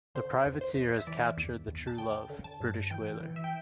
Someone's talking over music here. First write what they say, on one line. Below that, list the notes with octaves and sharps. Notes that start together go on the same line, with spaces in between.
The privateer has captured the "Truelove", British whaler.
D3 C5
E2
C5
E2
E5
E3 D5
E2
E2
A5
D3 G5
D3
A5
G2
E3 G5
E3
E5
G5